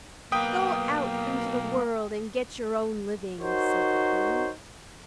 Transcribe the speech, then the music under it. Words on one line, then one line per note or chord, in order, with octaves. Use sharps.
"Go out into the world and get your own living," said the Queen.
B1 A#3 B4 G5 D#6
D#4 F#4 A#4 C5 C#5